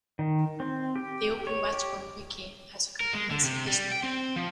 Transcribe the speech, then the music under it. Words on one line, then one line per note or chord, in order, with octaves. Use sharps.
The "Open Watcom Wiki" has a comprehensive history.
D#3
C4
G4
C#5
G4
A#4
G#3
D3
C3
G3
G5
C4
F3